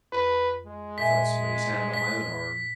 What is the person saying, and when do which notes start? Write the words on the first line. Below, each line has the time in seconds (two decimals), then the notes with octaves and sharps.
I felt somebody's hand on my own arm.
0.13 F2 B4
0.65 G#3
0.98 A#2 E5 G#5 B6
1.94 B6